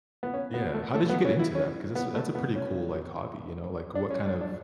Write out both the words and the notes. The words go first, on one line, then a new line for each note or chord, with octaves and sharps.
Yeah, how did you get into that, 'cause this that's a pretty cool, like, hobby, you know like, what, kind of,
B3
C#4
B3
A3
A3
B3
C#4
E4
C#4
B3
A3
B3
C#4
D4
C#4
D4
D4